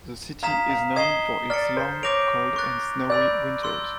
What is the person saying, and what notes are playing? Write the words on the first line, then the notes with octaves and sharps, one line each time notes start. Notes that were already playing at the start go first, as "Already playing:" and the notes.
The city is known for its long, cold and snowy winters.
F5 A#5 D#6 G#6 B6 E7
F5
D#5 D#6 G#6 C7 E7 G7
D5 F6 A6 C#7
C5
C#5 D6 G6 A#6 D7 F7
C#6 F#6 A6
D5 B5 E6 G6
C6 E6 G6